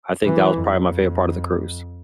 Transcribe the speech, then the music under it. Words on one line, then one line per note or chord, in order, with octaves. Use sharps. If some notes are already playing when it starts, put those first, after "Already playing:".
I think that was probably my favorite part of the cruise.
E3
F2